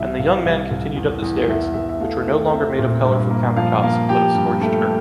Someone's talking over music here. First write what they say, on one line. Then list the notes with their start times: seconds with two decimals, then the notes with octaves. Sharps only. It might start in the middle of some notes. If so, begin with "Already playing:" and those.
And the young man continued up the stairs, which were no longer made of colorful countertops, but of scorched earth.
Already playing: C2 E3 E5
0.18 C2 F5
0.45 C2 F5
0.71 C2
0.96 E2
1.22 E2
1.48 E2 E5
1.74 E2 E5
1.89 E5
2.00 A3 F5
2.27 A3
2.53 C4 E5
2.78 A#2
3.05 G2
3.31 A#3
3.56 F3 F5
3.83 A#3 F5
4.09 F3 G4 G5
4.35 G2
4.61 A3